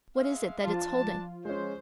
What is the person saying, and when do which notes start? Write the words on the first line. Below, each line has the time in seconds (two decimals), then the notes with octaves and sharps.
"What is it that it's holding?"
0.16 G#3 E5 F5
0.64 F3 D4 F4 A5
1.45 G#3 C#4 C5